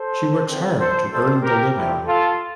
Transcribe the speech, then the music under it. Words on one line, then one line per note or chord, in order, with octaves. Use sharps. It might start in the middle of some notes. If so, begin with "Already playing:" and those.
She works hard to earn the living.
Already playing: A4 C5
E2 D3 F3 C4
A4 C5
A2 G3 C4 A4 C5
G4 A#4
G2 F3 A3 C4 E4 G4
F4 A4